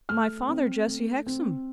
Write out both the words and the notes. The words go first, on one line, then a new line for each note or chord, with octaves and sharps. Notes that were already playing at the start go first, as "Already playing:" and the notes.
'My father, Jesse Hexam.'
A3 F6
C4
A3
C4